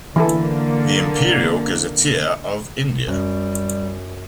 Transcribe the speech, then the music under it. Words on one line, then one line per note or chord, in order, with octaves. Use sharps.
The Imperial Gazetteer of India.
D3 E3 A#3 E4 A4
F#2 G3